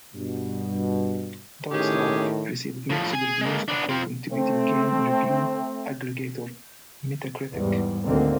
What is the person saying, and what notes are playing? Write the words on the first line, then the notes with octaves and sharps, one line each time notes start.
"Dog's Life" received "mixed" reviews according to video game review aggregator Metacritic.
G2 B2
A2 D#3 C#4 G4 G#4
A2 F3
G#4 G#5
G#3 A#3
B3 D4
C4 F4
A3 C4
E2 G#2 G3
G#1 D2 D3 D#3 A#3 C4